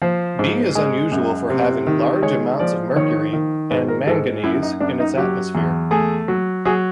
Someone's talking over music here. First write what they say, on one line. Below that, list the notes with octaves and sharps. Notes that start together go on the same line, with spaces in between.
B is unusual for having large amounts of mercury and manganese in its atmosphere.
F3 C5
G#2
G#3
F#2
C3
D#3
G#3 C#5
F3 D5
D#3 C#5
D#3
G#2 B4
A#4
G#2 A4
F#2 E4
D#4
F#2 D4
D#4
F#3 G4
E2
A3 G#4
F#3
F#3 G#4